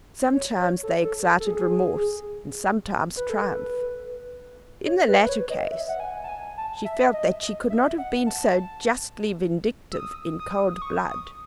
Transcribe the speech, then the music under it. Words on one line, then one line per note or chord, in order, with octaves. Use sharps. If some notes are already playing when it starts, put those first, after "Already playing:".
Sometimes they excited remorse, and sometimes triumph; in the latter case she felt that she could not have been so justly vindictive in cold blood.
C#5
C#5
A4
A4
A4
G#4
B4
A4
B4
C#5
B4
B4
C#5
D#5
E5
F#5
G#5
A5
G#5
A5
E5
D#5
D#5
E5
F#5
A5
E6
D#6
D#6
D#6
C#6
D#6